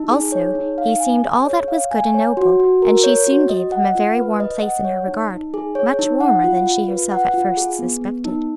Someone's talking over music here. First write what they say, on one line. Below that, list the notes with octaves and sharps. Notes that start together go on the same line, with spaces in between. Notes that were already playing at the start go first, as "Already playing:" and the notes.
Also, he seemed all that was good and noble, and she soon gave him a very warm place in her regard; much warmer than she herself at first suspected.
Already playing: D#4
G#4
C#5
D#4
F5
G#5
G#4
C#5
F5
G#5
C#5
F#4
F#4
A#4
C#5
F#4
D#5
F#5
F4
B4
D#5
F#5
C#5
D#4
D#4
G#4
C#5
D#4
F#5
F4
F4
B4
F#5
F4
G#4
B3
B3
D#4